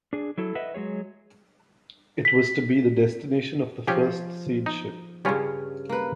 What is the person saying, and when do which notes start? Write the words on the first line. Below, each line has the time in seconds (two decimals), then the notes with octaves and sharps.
It was to be the destination of the first seed ship.
0.13 D4 G#4
0.38 F#3 E4 A4
0.55 B4 D#5 E5 F#5
0.74 F#3 G#3 G#4 C#5
2.25 B6
3.87 F3 C#4 G4 G#4
4.66 D#4
5.25 G2 C#3 G3 C#4 F4
5.89 A#3 B4